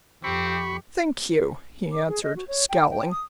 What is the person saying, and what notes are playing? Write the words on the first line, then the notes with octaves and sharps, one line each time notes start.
"Thank you," he answered, scowling.
F2 C4 G4 B5 C#6
D6
G#4
D#5
F#4
C#5
G5
G5
D#6